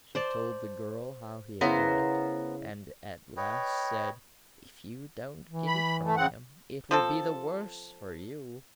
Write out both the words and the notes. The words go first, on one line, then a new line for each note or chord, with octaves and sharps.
She told the girl how he had got it, and at last said: 'If you don't get it from him, it will be the worse for you.'
C5 D5 A5
C#3 B3 E4 A#4 C5
B4 C#5 D#5 G5
E3
B5
A3
C#3 C4 F#5
F3 C4 A4